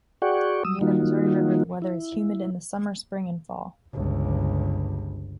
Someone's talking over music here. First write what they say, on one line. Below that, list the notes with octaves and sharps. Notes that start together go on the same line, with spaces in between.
Near the Missouri River, the weather is humid in the summer, spring, and fall.
F#4 G#4 D5 F#5 G5 C#6
F#3 D#6 E6
D#3 G3 A#3 D#4 F4 F#4
E4
G1 C#2